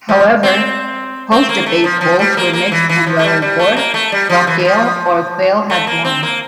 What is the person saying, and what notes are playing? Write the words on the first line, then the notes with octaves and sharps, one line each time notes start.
However, post-debate polls were mixed on whether Gore, Stockdale or Quayle had won.
F3
C4
C4
A#3
A3
F3
F3
G3
A#3
A#3
E3
E3
F3
A3
G3
G3
A3
A#3
A3
G3
F3
E3
E3
F3
A3
A#3
C4
A#3